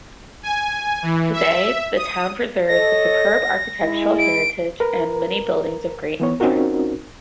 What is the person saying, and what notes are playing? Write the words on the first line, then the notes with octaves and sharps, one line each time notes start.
Today, the town preserves a superb architectural heritage and many buildings of great interest.
G#5
E3
E5
D#6
A4 C#5 D#5 A#6
G#3 E4
D7
A#4 B4 A#5
E3 B3 C#5
C4 C#4 D#4 F4 F#4 A#4